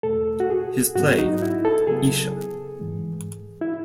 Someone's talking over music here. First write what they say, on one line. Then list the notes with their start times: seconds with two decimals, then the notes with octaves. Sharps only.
His play, Isha.
0.03 E2 B2 A3 A4
0.40 F#4
0.50 G#4
0.95 G#2 F#3 B3 F#4
1.19 D#4
1.42 E4
1.65 A4
1.87 C#3 F#3 B3 G#4
2.79 G#2 E3 G#3
3.61 E4